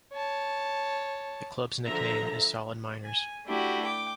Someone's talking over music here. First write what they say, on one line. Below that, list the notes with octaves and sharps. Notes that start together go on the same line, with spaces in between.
The club's nickname is "Solid Miners".
C#5 A5
D3 F3 E5 A#5
G#5
A3 D4 E4 F#4 G4
G5 D6